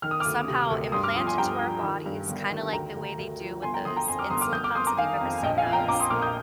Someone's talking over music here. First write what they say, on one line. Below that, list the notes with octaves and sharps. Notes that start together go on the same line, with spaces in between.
somehow implant into our bodies, kinda like the way they do with those insulin pumps if you've ever seen those,
D#3 F6
D#6
D2 D6 F6
C3
D2
G2 C6 D#6
D6 F6
F3 C6 D#6
G#5 C6
G2 G5 A#5
F3
D#3
G2
G1
D#3
D2 G5 A#5
D2
D2
F3
G1 G#5 C6
G5 A#5
G1 C6 D#6
G5 A#5
F2 G#5 C6
D6 F6
G1 C6 D#6
D6 F6
G1 D#6 G6
D6 F6
F2 C6 D#6
A#5 D6
D#3 F5 G#5
F2
G#5
A#1 D#5 G5
F5 G#5
F3
G5 A#5
A#1 A#5 D6
C6 D#6
A#2 D6 F6
D#6 G6